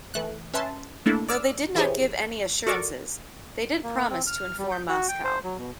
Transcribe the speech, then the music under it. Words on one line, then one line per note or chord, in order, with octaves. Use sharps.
Though they did not give any assurances, they did promise to inform Moscow.
E3 A3 F#6
C#4 B4 E5 A5 C6
A3 A#3 D4 E4 A4
D5 D6 E6 F6
E3 E4 G4 G#4 C5 C#5
F#4 A4 A#4 D5 C#6 D6
A#3
C4
F6
G3
G6
F#4
G5
C5
F#3
B2